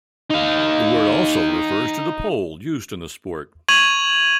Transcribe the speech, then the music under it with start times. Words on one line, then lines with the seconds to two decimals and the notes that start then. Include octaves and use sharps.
The word also refers to the pole used in the sport.
0.30 D#4 F5
3.68 C#6 G#6 D#7 F7 F#7